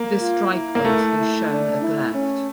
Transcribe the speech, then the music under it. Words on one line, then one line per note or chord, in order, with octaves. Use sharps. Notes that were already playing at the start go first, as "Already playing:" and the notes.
This drypoint is shown at left.
Already playing: A#3
F4
E4
A#3
A3 E4
E4
D4
E4
C#4